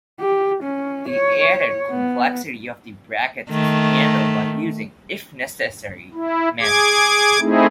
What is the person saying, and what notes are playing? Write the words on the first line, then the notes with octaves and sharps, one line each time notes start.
The added complexity of the brackets is handled by using "if necessary" matches.
G4
C#4
C#5
B3
D#3 A3
E4
G#4 D6 G#6
A3 C4 D#4 E4 G#4